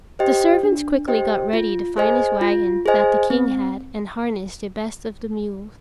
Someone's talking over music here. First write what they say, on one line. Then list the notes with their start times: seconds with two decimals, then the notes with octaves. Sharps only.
The servants quickly got ready the finest wagon that the King had, and harnessed the best of the mules.
0.19 G4 C5 D#5 G5
0.63 D4
1.08 G4 C5 D#5 G5
1.53 F4
1.97 G#4 C5 D#5 G#5
2.41 F4
2.86 G#4 C5 D#5 G#5
3.30 C4